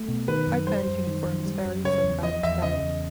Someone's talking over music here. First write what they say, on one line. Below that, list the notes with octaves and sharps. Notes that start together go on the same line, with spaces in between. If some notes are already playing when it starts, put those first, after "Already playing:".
Pipe band uniforms vary from band to band.
Already playing: A3
B2
D#3 B4
F#2
G3 C5
F#2
D#3
F#2
G3
F#2
C#3 C#5
E2
F3 D#5
E2 E5
C#3 D#5
E2